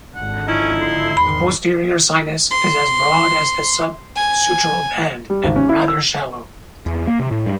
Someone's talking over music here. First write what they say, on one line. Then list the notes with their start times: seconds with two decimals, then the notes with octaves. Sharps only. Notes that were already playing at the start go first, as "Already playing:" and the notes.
The posterior sinus is as broad as the subsutural band and rather shallow.
0.15 G#1 D3 F#5
0.48 F3 C#4 D#4 E4
0.81 C6
1.17 E2 G#2 D#3 B5
2.51 C6
4.16 G#5
5.30 G3
5.44 G#1
5.56 C#4
5.69 E4
5.88 E6
6.86 E2
7.07 A#3
7.20 C3
7.31 A2
7.46 G2